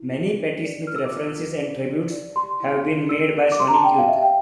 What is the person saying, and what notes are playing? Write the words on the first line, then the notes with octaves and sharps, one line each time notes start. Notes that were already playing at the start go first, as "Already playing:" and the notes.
Many Patti Smith references and tributes have been made by Sonic Youth.
Already playing: E4
G4
D4
D5
A#4 F6
E6
D6
F4 E6
F4
D5
G4
D5
G4 C6
E4
E4
A#4 E6
G4
D6
G4 C6
A#5
A5
D5 G5
F5
G4 E5
G5